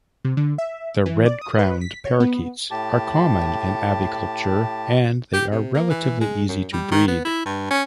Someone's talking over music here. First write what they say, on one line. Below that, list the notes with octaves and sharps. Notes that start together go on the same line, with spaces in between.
The red-crowned parakeets are common in aviculture and they are relatively easy to breed.
C3
D3
E5
E3
D5
D#6
B4
B6
C#5
B3
A2 G4 A5
G4
C3
A#3
E3
G#3
F#2
G3
D#3
B3
E4
G2
C#4